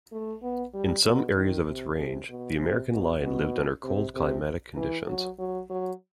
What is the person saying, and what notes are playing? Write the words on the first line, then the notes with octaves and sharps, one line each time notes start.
In some areas of its range, the American lion lived under cold climatic conditions.
A3
B3
G3
B2
D#3
C3
C3
B2
C3
B2
B2
C3
C3
E3
F#3
F#3
F#3